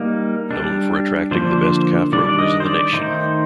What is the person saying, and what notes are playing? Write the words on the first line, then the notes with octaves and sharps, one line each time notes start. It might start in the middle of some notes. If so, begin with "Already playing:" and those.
Known for attracting the best Calf Ropers in the nation.
Already playing: G3 A#3 D#4
G3 D4
D3 F3 A#3 D4 C5
D#3 G3 D4 D5
D5
D#5
C5
D5
D#3 A3 D#4 C5